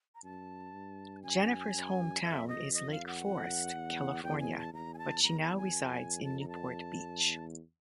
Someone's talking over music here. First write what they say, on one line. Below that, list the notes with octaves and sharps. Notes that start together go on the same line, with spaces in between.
Jennifer's hometown is Lake Forest, California but she now resides in Newport Beach.
A#5
F#2 A5
G2
F#2 G#5
F#2
F2 E5
D#5
D#5
F5
F#5
E2
E2 G5
G#5
A5
E2 A#5
G#5
A5
E2 A#5
A5
G#5
F2
A5
A#5
A5
E2